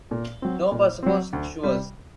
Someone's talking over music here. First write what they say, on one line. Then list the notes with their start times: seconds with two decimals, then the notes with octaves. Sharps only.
No, but suppose she was.
0.11 A#2
0.42 F#3 C4
0.72 A#2
1.03 F#3 C4
1.33 D2
1.63 C3 G3